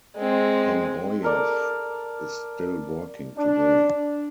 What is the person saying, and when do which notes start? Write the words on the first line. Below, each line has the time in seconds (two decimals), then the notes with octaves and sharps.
Hamroyev is still working today.
0.17 G#3 C4
1.23 A4 A#4 D5
3.37 D4